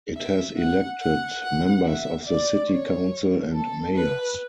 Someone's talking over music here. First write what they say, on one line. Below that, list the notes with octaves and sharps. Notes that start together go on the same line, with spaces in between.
It has elected members of the city council and mayors.
E5
F#5
F#5
F#5
E5
D5
C#5
A4
B4